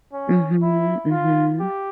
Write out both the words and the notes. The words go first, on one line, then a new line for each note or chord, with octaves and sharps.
Mhm. Mhm.
C#4
E4
F4
G4